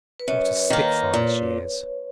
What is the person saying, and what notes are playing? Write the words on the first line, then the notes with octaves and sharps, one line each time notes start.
What a spitfire she is!'
B4
F#2 C#5
D#3 A#3
A#2